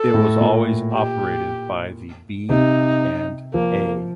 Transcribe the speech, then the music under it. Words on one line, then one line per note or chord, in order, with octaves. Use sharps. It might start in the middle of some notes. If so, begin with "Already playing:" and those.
It was always operated by the B and A.
Already playing: A4
A2
A#2
G4
C3 D#4
F3 A#3